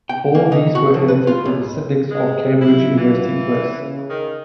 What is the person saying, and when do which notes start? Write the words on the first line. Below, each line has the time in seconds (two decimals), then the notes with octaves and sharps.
All these were edited for the syndics of the Cambridge University Press.
0.09 G5
0.35 A#3
0.52 D#4
0.75 F#4
0.94 F3
1.08 B4
1.27 F4
1.45 C#2
2.11 G#3
2.61 F#2 F#3 E4 F4
2.97 E3
3.75 C#3
4.09 D#3